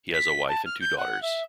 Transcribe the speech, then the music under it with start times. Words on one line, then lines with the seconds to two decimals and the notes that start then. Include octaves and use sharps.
He has a wife and two daughters.
0.13 B6
0.48 A5
0.65 F6
0.80 G6
0.97 F#5
1.22 E5